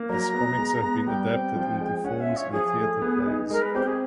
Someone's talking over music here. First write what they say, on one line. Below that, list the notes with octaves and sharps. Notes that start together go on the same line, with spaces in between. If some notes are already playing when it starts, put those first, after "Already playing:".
His comics have been adapted into films and theatre plays.
Already playing: A#3
F#3 A#5
B3
G#3
B3
G3 G5
C4
F3
G#3
C#4 F#5
E5
F4
C#5
F3 G#4
A3
B3
D#4
G#3 A#4
B4
C4 G4
G#4